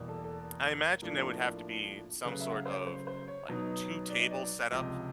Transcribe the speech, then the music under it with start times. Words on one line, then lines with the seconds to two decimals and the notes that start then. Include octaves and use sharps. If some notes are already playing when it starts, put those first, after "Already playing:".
I imagine there would have to be some sort of, like, two-table setup
Already playing: E2 B2 G3 A#3
0.08 A4
0.24 A4
0.39 A#4
1.02 A2 F3 A#3 D4
2.24 C#3 F#3 A3 B4
2.41 E5
2.50 F#5
2.55 F5
2.66 C5
2.71 C#5
2.87 C5
3.07 C5
3.28 C#5
3.48 B2 F#3 B3 D#4
4.09 D5
4.20 D#5
4.31 D5
4.71 C#2 C3 F3 D#5